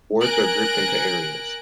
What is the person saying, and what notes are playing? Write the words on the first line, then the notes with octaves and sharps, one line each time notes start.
Wards are grouped into areas.
A#4 G#5 F#6 A#6 D7